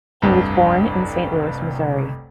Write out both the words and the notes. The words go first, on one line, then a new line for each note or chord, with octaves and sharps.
He was born in Saint Louis, Missouri.
F1 C2 G2